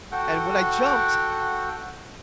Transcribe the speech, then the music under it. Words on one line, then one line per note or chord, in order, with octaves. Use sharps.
and when I jumped,
F#4 A4 F#5 G5